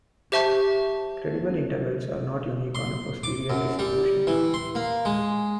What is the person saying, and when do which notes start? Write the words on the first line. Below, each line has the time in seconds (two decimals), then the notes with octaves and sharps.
Credible intervals are not unique on a posterior distribution.
0.32 G4 C5 E5 A5 C#6 G6
2.75 C6
3.23 D6
3.50 F#2
3.79 G3
4.27 E3
4.54 C6
4.75 A#3
5.05 G#3